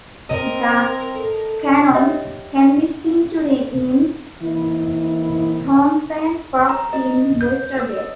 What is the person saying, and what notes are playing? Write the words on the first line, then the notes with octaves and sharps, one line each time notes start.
The cannon can be seen today in Townsend Park in Oyster Bay.
C4 A#4 D#5
A4
G4 C#5 D#5 E5 G5
E3 A#3 C4 D#4 E4
A#5
D#5
G6
E6
D#5